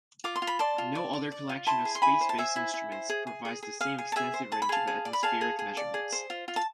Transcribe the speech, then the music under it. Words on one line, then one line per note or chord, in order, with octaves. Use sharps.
No other collection of space-based instruments provides the same extensive range of atmospheric measurements.
F4 D6
C6
F4
B5
D5 A5 C6
F4
D5
D5
D5
F4
E4 A5 C6
G#4
C6
E4 G#5 B5
C5
A5
C5 E5 G#5
E4
E4
C5
G#4
G#4
G#4
G#4
G#4 F5
G#4
A5
G#4 E5 G#5
C5
G#4 A5
B5
G#4 F5 A5
G#4
D5
B5
G#4 F5 A5
G#4
G#4
D5
G#4
C5
F4
F4
A5